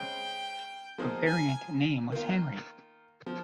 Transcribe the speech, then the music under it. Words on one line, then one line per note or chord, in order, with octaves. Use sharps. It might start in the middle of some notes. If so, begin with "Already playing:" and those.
A variant name was "Henry".
Already playing: C#3 G#3 C4 G5
F3 A#3 D#4 G#4 C5
G#5
D#3 A#3 F4
F3